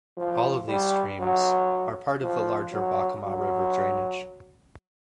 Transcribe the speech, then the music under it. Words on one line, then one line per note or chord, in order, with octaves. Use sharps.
All of these streams are part of the larger Waccamaw River drainage.
F3
G3
F#3
F3
F#3
F#3